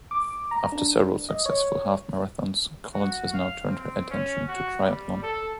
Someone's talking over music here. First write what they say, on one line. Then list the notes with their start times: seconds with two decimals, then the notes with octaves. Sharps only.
After several successful half marathons Collins has now turned her attention to triathlon.
0.11 D6
0.51 A#5
0.72 D4
1.29 D#5
1.46 C#5
2.93 F#4
3.33 F5
3.69 C4
4.10 C#4
4.48 F#4
4.80 G3
5.23 A4